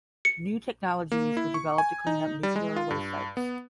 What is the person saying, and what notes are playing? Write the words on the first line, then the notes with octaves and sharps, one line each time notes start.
New technologies were developed to clean up nuclear waste sites.
C#7
A#3
E4
C#6
G#5
D#4
G3
G#3
F4
G2
B3